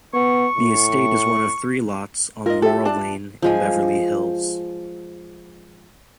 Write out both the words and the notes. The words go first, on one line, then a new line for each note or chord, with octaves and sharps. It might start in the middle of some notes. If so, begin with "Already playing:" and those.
The estate is one of three lots on Laurel Lane in Beverly Hills.
B3 C#6
A2
F4 A#4 D#5
G4 A4 E5
D4 D5 A5
F3 G#3 G#5